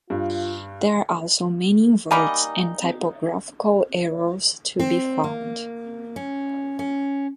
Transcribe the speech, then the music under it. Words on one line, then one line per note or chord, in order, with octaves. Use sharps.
There are also many inverts and typographical errors to be found.
G2 F4
G3 A#3 D#4 G#5 A#5 B5
C4
A#3
C#4
C#4